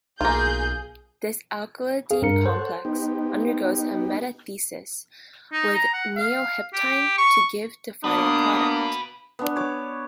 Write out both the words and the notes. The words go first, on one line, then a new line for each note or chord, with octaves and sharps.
This alkylidyne complex undergoes a metathesis with neoheptyne to give the final product.
B1 A#3 F4 G#4 G6
G#4 F5
G2 A#4 C#7
A4 C5 C#5 F#5 C6
B3 D#4 G4
D#4
A#5
F#5
F5
G4
C#6
A#3 B3 D4 F#4 B4 D#6
B3 D4
C#5 D6